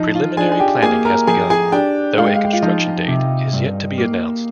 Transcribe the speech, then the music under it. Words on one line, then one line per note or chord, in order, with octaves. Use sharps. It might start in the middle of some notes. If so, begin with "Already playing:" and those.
Preliminary planning has begun, though a construction date is yet to be announced.
Already playing: F3 D#4 D#5
F4 F5
D4 G#4 G#5
G#5
G4 G5
A#3 G#4 G#5
A#4 A#5
F3 G#4 G#5
G#4 G#5
D4 G4 G5
G#3 F5
G5
F5
G5
F4 F5
F3 D#4 D#5
C3
G2
A#3